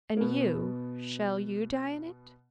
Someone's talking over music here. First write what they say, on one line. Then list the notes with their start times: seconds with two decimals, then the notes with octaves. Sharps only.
"And you--shall you die in it?"
0.17 A#3
0.21 B2 B3